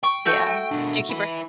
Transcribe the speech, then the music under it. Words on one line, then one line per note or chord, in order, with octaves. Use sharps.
Yeah. Do you keep her hair
G5 C#6
A3 F#4 G6
B2 D4
E4 B4